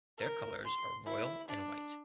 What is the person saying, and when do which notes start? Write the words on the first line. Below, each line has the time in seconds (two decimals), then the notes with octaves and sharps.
Their colors are royal and white.
0.18 A#4
0.65 C6
1.06 E4
1.48 D4